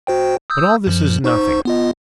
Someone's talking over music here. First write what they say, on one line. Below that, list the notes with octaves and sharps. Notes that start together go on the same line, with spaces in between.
But all this is nothing.
F#4 C5 G5
D#6 E6 G6
F#2 F3
D#4 C5 C#6
B3 F4 D#5